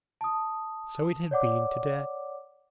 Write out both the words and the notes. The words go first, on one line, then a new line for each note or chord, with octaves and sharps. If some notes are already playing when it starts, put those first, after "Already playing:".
So it had been today.
A5 D#6
C#5 D5 F#5 D6